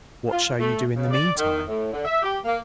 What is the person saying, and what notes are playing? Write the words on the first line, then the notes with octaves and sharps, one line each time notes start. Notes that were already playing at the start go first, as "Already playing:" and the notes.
'What shall you do in the meantime?'
F4
A3
C#3
D5
D#3
A2
D3
E5
G4
A#3